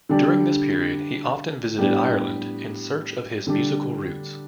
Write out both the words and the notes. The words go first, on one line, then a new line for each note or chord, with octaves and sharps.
During this period he often visited Ireland in search of his musical roots.
D3 G3 D4 G4
A2 G3 B3 D4 G4
D3 G3 D4